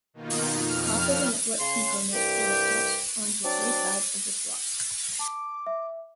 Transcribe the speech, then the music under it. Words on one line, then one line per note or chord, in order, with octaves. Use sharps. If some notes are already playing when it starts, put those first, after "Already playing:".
Crossover network components were attached onto three sides of this block.
B2 D#3 A#3 D#4 F4
F2 F6
C#3 C6
C2 G2 G4
F#3 C4 D4 D5
A5 D6
E5